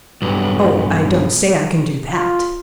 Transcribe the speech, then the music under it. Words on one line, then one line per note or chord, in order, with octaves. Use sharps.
"Oh, I don't say I can do that."
B1 G2
F4